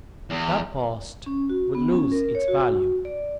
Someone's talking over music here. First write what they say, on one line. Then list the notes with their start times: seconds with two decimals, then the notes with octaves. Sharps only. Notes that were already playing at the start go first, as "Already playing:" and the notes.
"That post would lose its value."
0.30 E2
1.26 C#4
1.50 F#4
1.75 B3
1.92 C#4
2.12 A#4
2.35 C#5
2.48 F#4
3.05 D5